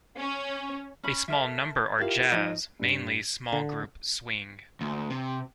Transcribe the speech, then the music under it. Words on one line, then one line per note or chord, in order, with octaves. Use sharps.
A small number are jazz, mainly small group swing.
C#4
C#4 B5
A4 A#4 E5
E4 F4 G4 A#4 F5
F3 D#4 D#5
G2
D3
D2
C3